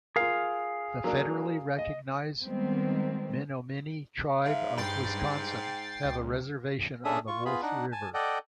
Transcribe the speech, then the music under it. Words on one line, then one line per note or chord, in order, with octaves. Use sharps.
The federally recognized Menominee Tribe of Wisconsin have a reservation on the Wolf River.
F4 G#4 A#4 F5
F#3 A#3 D4
D#5
D#3 G3 G#3 B3 C4
G#2 E5 F5
G2 G5 B5 A6 C7
C#2
C#4 D4 G#4 A4 E5 D#6
F4 C#6
B3 F4 G#4 B5
D4 D#4 F#5
G#5 A5
A4 D5 D#5 F#5 G5